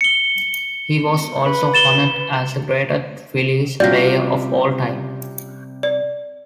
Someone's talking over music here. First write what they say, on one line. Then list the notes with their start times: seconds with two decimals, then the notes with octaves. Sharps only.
He was also honored as the greatest Phillies player of all-time.
0.01 C#7 G7
1.46 B4
1.74 A6 E7 G7
3.80 C3 G3 C#4 F4 F#4 D5 G6 A#6
5.83 D5